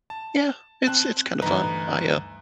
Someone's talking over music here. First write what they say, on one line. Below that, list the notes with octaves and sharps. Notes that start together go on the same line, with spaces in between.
Yeah. It's it's kinda fun. I, uh
A5
C4 A5 F#6
D2 G2 E3 D#4 B4